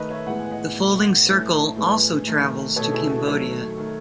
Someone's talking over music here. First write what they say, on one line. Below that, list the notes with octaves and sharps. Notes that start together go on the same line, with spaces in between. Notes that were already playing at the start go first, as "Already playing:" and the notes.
The Folding Circle also travels to Cambodia.
Already playing: D#3 A3 B4 D#5
C#5 E5
A2 E3 G#3 B3 F#5
G#5
D#5 F#5
B2 A3
A2 E3 A3 C#5 E5
A2 E3 G#3 B3
D#3 A3
B2 A3 A4 C#5
E4 G#4
F#4 A4
D#3 F#3 A3 A4 C#5
D#3 A3